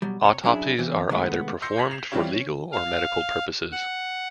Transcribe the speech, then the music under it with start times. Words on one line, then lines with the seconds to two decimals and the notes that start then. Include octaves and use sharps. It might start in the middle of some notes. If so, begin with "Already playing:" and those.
Autopsies are either performed for legal or medical purposes.
0.02 B2 F#3 G3
0.22 C3 C#5
0.44 F#3 C#4 D4 E4 G#4
0.79 E3 B3 C4
1.09 C3 D#3 G#3 A3 B3
1.62 C6 E6 G6 A#6 C7 C#7
1.77 G6 G#6 A#6 B6 F#7
1.91 C7 E7 F7
2.12 E3 G3 C4 F4 G4 C#5
2.34 C#4
2.72 F5
3.72 F#5